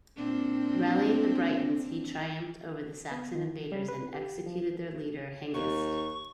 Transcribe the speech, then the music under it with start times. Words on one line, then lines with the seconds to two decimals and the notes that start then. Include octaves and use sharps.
Rallying the Britons, he triumphed over the Saxon invaders and executed their leader, Hengist.
0.16 A#2 C4 D4
3.11 B3
3.35 D#3
3.72 G3
3.88 B4
4.14 G4
4.46 F3
5.54 D#2 C#6